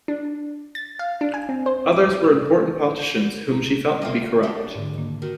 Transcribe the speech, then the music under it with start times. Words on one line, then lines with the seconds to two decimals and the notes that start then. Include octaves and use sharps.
Others were important politicians whom she felt to be corrupt.
0.08 D4
0.75 A6
0.99 F5
1.21 D4
1.34 G#5
1.49 C4
1.66 C5
1.92 D6
2.24 E6
3.49 E4 A#5
4.02 G3 A#3 B3 F4 E5 G5
4.43 D4 F#4 G4
4.75 G#2 D3
4.95 D#3 A#3
5.22 D#3 F#4 A#4